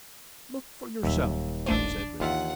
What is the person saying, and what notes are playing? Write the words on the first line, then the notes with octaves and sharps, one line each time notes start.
"Look for yourself," said Richard.
D#1 D#2 F#3 E5
A1 A3 D4 C5
D#2 E3 F4 E5 F#5